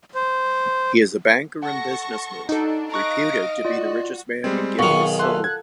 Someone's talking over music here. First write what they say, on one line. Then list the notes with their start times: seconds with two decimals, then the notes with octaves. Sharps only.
He is a banker and businessman, reputed to be the richest man in Guinea-Bissau.
0.15 C5
1.63 A4 F#5 C#6 A#6
2.49 D4 D#4 F#4 A4
2.92 D#5 F5 A#5 C#6 F#6 A#6 D7
3.65 F4 F#4 D5
4.44 G3 G#3 C4
4.79 B1 D#3 F4 G#4 A#4 F#5 C#6
5.19 A4 E5 F#5 C6
5.44 A5 F#6 G#6